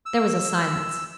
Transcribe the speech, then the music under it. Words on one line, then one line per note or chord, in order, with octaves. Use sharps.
There was a silence.
E6